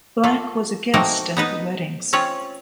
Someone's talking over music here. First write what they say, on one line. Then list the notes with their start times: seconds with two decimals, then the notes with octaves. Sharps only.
Black was a guest at the weddings.
0.24 A3 F4
0.94 A3 A#3 C4 D#4 F#4 A#4
1.37 B3 D#4 B4
2.13 C4 C#4 F4 C#5